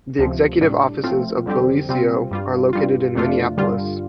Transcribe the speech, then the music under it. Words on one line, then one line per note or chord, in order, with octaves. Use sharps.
The executive offices of Bellisio are located in Minneapolis.
D2 C3 F3
A2 G3 D4
A2 F3 A3 C4 F4
F2 D3 G3 C4 G4
C3 G3 C4 F4
G2 G3 F4
G2 G3 F4
F2 C3 A3 D4 F4
G2 D3 G3 F4